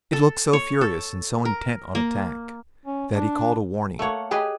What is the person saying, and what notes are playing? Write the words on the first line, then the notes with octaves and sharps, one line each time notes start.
It looked so furious and so intent on attack that he called a warning.
A4
C#5
A4
A#4
A#3
C#4
D4
A3 A#3 C#5 F#5
G4 G#4 B4 D#5